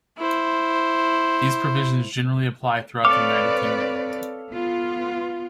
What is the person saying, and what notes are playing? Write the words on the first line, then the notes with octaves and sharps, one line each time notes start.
These provisions generally apply throughout the United Kingdom.
E4 C5
C4 A4 B4 C#5 D5 F5 D6
B3 F4